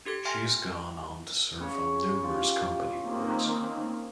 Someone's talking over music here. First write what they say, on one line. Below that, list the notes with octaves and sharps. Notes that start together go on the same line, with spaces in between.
She has gone on to serve on numerous company boards.
D4 G4 A4 G#6
E5 G5 G#5 C6 F6 A#6
C#3 C#4 C#5
F4 G4
D#3 A#3 C4